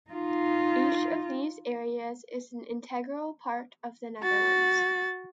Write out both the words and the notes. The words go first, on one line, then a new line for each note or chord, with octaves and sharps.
Each of these areas is an integral part of the Netherlands.
D#4 F4
F#4 A6